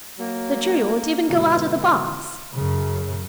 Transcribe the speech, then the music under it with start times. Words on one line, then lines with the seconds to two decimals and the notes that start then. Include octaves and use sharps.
"The jury won't even go out of the box."
0.19 F#3 A#3
1.30 G#2 B2 D3 E3
2.54 F#2 C#3